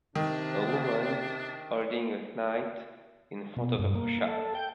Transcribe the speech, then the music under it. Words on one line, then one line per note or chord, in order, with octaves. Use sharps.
A woman holding a kite in front of a child.
C3 D#3 D4
B2
G2
A#3
A4
G5